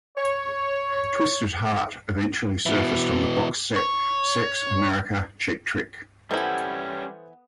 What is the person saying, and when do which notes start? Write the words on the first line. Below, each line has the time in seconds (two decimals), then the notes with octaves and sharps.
"Twisted Heart" eventually surfaced on the box set "Sex, America, Cheap Trick".
0.17 C#5
2.66 B2 E3
3.76 C#5
6.31 E3 G3 B3 C#4 E4 A4 C5 F#5